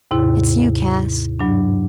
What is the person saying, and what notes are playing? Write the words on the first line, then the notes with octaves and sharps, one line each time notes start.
Hit's you, Cass.
D#2 G#2 C3 E4
G2 F#3 D4